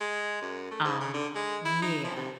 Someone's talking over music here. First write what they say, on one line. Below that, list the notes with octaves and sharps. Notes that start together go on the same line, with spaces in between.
Um, yeah.
G#3
F#2
A3
G#2
C#3
D3
G#3
E4
D#4
F3
C3